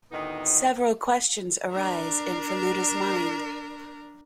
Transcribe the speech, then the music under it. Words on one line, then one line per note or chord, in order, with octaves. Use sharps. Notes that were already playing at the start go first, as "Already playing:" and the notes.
Several questions arise in Feluda's mind.
D2 A2 D#3 B3 D#4
D4 A#4